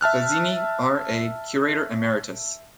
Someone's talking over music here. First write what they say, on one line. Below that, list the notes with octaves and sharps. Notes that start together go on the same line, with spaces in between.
Fazzini, R. A., curator emeritus.
E5 A5 F6 F#6